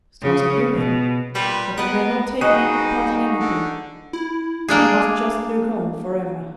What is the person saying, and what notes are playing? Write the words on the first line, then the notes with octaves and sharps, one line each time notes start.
Stars are beautiful, but they may not take an active part in anything, they must just look on for ever.
C#3
B2
A#2 G3 B4
B3 A#4 B4
G3 D#4 F#4 G#4 D#5
D3
E4
A#3 D4 G#4